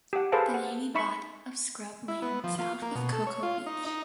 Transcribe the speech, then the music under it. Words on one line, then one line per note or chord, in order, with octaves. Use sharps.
The Navy bought of scrub land south of Cocoa Beach.
G4 F#5
G#4 A4 B4 C5 F5 A5
F#5
D#4 E5 B5 C#6
E4
B3
F3
F4
A#3
B2
A4
C#5
F4
D#4
D#4